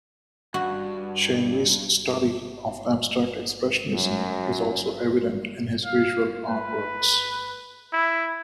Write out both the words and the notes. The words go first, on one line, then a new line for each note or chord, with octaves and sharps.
Shen Wei's study of abstract expressionism is also evident in his visual artworks.
G2 F#4
F#2 F#3
F5
B4
E4